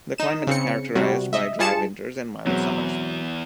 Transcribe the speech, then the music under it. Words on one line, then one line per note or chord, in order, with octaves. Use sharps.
The climate is characterized by dry winters and mild summers.
D#4 E7
C#3 C4 C#7
C3 G3 F#4
D#5 E5
G3 F4 G#4 A5 C#7 E7
E2 B2 F#3 G#3 C4